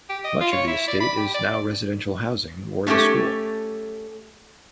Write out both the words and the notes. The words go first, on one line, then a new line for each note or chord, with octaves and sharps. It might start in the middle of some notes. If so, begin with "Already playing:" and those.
Much of the estate is now residential housing or the school.
G4
D#5
F4
C#5
E4
D5
B5
G4
D5
A3 C#4 F4 G4 A4